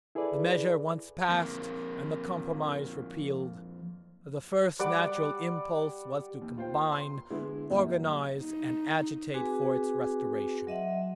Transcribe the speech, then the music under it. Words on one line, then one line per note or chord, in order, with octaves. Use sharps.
The measure once passed, and the Compromise repealed, the first natural impulse was to combine, organize, and agitate for its restoration.
E4 G#4 A4 B4 D5
F2 A#3
G3 D5 F#5 D6
D#2
F4 C5 G5
C6
D3 G#3 B3 E4
F#2 A#2 G3
D#4
C4 F#4 G#4 B4 G#5 D6
F#3 D#5 E5 F#5